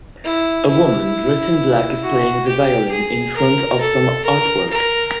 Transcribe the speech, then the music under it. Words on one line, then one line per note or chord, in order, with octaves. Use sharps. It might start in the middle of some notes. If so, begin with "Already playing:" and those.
A woman dressed in black is playing the violin in front of some artwork.
E4
E4
F#4
G4
G#4
A#4
A4
A#4
A#4